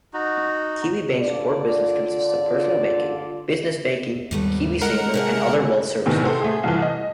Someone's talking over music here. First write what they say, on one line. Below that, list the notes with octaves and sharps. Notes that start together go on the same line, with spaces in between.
Kiwibank's core business consists of personal banking, business banking, KiwiSaver and other wealth services.
D#4 F#4
D3 F4 D5
D#2 G#2 G3 A3 B3
G#3 A4 A#4 D#5 F#5
C3 A3 G#4
E2 A2 C3 D#3 B3
G4 A4 C5 F#5
A3 G#4
C2 F2 E3
D#5